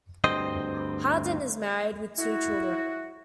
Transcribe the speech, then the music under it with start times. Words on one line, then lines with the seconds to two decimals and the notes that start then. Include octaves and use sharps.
Hardin is married, with two children.
0.24 D2 G2 C4 C5 D#5
2.19 E4 F#4